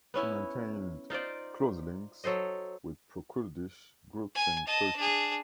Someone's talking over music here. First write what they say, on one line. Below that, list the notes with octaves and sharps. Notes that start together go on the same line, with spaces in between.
She maintained close links with pro-Kurdish groups in Turkey.
B3 C#4 E4
D#4 F4 C5 D5
F#3 A4 C5 D#5
G#5
D#5 A5
D4 G#4